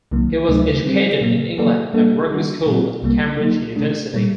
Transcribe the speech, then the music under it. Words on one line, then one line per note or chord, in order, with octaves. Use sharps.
He was educated in England at Rugby School and Cambridge University.
C2 C3 D#3 F#3 A#3
D2 C3 F#3 A3 D#4
G3 C4 G4
A#2 F#3 A#3
F#3 A#3 F#4 A4 D5
G3 A#3 D4 A4
D#3 G3 D4 F#4
A#2 F#3 C4
C2 C3 G3 A#3
F#3 A#3 D#4
C3 D#3 A3 D4
A#2 G3